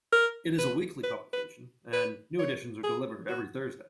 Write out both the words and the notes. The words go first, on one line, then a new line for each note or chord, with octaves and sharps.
It is a weekly publication and new editions are delivered every Thursday.
A#4
B4
B4
B4
B4
C#5
G#4
F#4